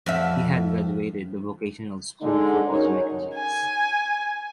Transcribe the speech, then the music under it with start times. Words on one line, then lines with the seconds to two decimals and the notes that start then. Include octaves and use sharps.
He had graduated the vocational school for auto mechanics.
0.06 F2 F3 E5
2.21 D3 G#3 D#4
2.67 F#2 D#4 A#4 C#5
3.35 G#5